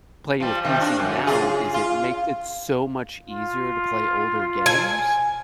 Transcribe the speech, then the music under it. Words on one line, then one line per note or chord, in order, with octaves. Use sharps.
playing with PC now is it makes it so much easier to play older games,
F3 G3
C3 D#3 F3
D4
F#2
C#3 F4 G#4
F4
F4
G#5